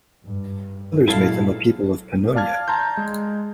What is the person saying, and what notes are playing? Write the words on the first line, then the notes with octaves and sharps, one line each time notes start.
Others make them a people of Pannonia.
G2
A#2 F#3 G#3 E4 A4 F5
D5 F5 A5 F6 G#6
A5 A#5 C6 G6
G#3